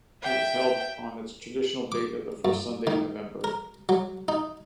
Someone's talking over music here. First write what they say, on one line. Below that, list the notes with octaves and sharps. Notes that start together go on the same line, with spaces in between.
It was held on its traditional date of the first Sunday in November.
E5 G5
D6
F#2
D#3
A#4
F#3
D#4